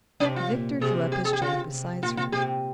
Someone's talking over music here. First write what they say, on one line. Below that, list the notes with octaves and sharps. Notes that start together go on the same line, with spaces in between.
Victor drew up his chair beside her.
C3 C#4
F4
A#2
C3 G#4
G4
G#4
G4
C#3 F4
C3
A#2 F4
F4
C3 G4